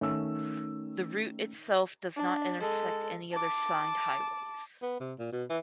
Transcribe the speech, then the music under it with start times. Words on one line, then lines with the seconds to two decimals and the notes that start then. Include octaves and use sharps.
The route itself does not intersect any other signed highways.
0.01 D#3 A3 C#4 E6
2.17 D4
2.60 G#3 A4
3.31 A5 D6
4.82 B3
5.00 C3
5.19 A#2
5.32 B2
5.50 E3